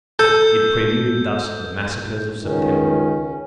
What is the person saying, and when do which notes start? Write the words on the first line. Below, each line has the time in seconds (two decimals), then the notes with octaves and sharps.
It preluded thus the massacres of September.
0.19 A4 G6
2.43 C#2 D#3 C#4